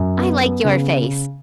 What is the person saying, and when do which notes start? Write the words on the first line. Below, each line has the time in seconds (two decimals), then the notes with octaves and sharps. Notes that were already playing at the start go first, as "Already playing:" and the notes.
I like your face.
Already playing: F#2
0.17 B3
0.41 B3
0.65 C#3